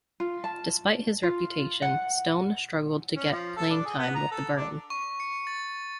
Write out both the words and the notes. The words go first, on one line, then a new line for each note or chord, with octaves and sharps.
Despite his reputation, Stone struggled to get playing time with the Burn.
F4
A5
F4
F#5
C#4
F3
A4
D4
G#4
B3
A#5
A4
D4
C#6
C#7
A6